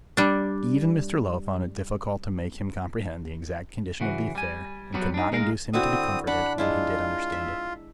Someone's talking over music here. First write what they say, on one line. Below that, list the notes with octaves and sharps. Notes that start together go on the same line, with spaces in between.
Even Mr. Low found it difficult to make him comprehend the exact condition of the affair, and could not induce him to be comforted when he did understand it.
G3 D4
C#3 E3 F#4
G3 G#5
F#3 G3 B3 F#4
D4 D#4
G#3 D#4 A#4 F5
D3 C4 E4 F#4 D#6
D4 F#5 B5
G#3 D4 E4 F4
E5